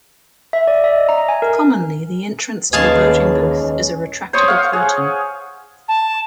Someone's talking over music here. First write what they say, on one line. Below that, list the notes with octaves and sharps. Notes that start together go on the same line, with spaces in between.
Commonly the entrance to the voting booth is a retractable curtain.
E5
D5
E5
D#5
A#5
G#5
A#4
D#2 G#3 C#4 G#4 B4 F5 A5
C5 C#5 C#6 D#6
F5 F#5 D#6
G#4
A5